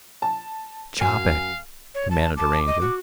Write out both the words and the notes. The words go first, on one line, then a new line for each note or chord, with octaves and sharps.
"Chop it!" commanded a Ranger.
A5
F#2 F5 G#5
C#5
A5
A5 D6
D#5
F#4